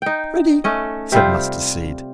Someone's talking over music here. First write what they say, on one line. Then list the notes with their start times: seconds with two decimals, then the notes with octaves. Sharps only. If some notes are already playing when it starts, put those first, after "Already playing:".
"Ready," said Mustardseed.
0.02 D#4 G5
0.64 A3 C#4 D#5
1.12 C3 G3 C4 F4